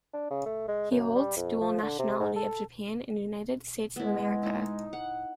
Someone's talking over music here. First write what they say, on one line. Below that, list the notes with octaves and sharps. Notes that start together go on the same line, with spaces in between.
He holds dual nationality of Japan and United States of America.
D4
C#3
A3
G#3
F#2
G3
F2
F3
D3
C3
G#2
A4
G#3 B3 E4
D#4 E4
F#5